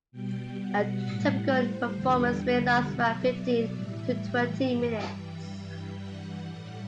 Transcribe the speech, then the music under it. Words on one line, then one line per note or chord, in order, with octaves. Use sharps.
A typical performance may last around fifteen to twenty minutes.
B2 G3 G5
F#5
A2 G3
C5
E2 D3 G3 G5
F#5
B2 F#3 E5
D5
A2 E3 G3 E5
G5
G2 E3 G3
G2 E3 G3
F#5
A2 G3